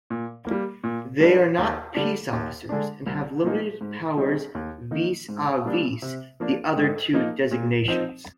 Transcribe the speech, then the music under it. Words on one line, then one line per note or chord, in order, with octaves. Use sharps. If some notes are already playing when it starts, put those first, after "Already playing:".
They are not peace officers and have limited powers "vis-a-vis" the other two designations.
A#2
G3 A#3
A#2
G3 D4
D#2
D3 G3 D4
D#2
D3 G#3 D4
C2
A#2 F3 A#3 D#4
G#2
G3 C4 D#4
D#2
D#3 A#3 D#4
G#2
G3 A#3 D4
C3
F3 A#3 D4
G#2
F3 A#3 D#4
A#2
F3 C4 D#4